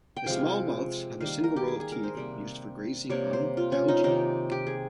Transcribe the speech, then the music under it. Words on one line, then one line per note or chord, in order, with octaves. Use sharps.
The small mouths have a single row of teeth used for grazing on algae.
G5
C3 F3 G#3 F5
D#3 G3 A#3 F5
A#4
G4
G#4
G#4
A#4
C5
C3 G3 A#3
C3 G3 A#3 C#5
C5
F4
C#4
D#4
C3 D#3 A#3 D#4
G4
G#4